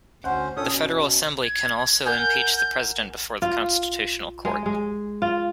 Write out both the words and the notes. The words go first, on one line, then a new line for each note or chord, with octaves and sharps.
The Federal Assembly can also impeach the president before the Constitutional Court.
D2 C#4 C5 F#5
A#2 C#4 A4 D#6
B2
G#6
A#4 F#5 G#5 G6
F4
G#3
G#3
F4